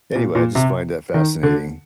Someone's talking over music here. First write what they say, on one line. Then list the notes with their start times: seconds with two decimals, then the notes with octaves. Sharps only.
anyway, I just find that fascinating.
0.15 A#2
0.35 A#2
0.55 C3
1.14 D#3
1.43 D3